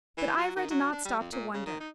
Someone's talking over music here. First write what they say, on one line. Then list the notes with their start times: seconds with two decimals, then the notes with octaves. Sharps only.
But Ivra did not stop to wonder.
0.18 E3
0.37 F#3
0.56 D#3
0.70 F#3
0.92 D4
1.05 G3
1.19 F2
1.32 A#2
1.54 C#3
1.66 D#3
1.80 D#4